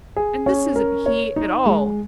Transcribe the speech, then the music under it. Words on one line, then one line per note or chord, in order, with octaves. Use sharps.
And this isn't he at all!
G#4
C#4
A#4
C#5
D#4
G#3